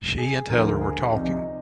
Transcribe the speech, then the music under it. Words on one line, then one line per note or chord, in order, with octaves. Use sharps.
She and Heather were talking.
G#4
D2 D3 F3 A#4
G#4
C2 C3 F3 D#4